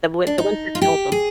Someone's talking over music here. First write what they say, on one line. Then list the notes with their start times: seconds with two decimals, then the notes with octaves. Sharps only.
the win the winter killed them.
0.27 D4
0.38 D#4
0.75 F4
0.82 G4
1.12 G#4